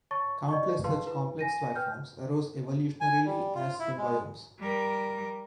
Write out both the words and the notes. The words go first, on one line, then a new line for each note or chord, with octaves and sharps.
Countless such complex life forms arose evolutionarily as symbiomes.
C#5 A5 C#6 A6
D5 D#5 C#6
G#4 B4 F5 A5 C6
E4 B4
G#5 A#6 D#7
B4 G5 F6 G6
G#5
G3
F4
E4
G#3
G3 A#4